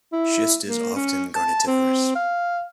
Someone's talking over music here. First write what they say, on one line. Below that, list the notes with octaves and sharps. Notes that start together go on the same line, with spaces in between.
Schist is often garnetiferous.
E4
A#3
C#4
A5
C4
F5